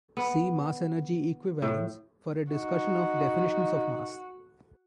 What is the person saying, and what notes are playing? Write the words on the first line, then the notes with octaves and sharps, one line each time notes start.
See mass-energy equivalence for a discussion of definitions of mass.
B3
A2
D#4 F#4